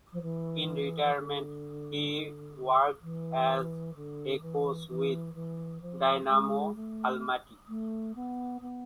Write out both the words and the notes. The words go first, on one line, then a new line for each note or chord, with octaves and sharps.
In retirement he worked as a coach with Dynamo Almaty.
F3
E3
E3
D3
E3
D3
E3
E3
E3
F3
A3
G#3
A3
A3
B3
B3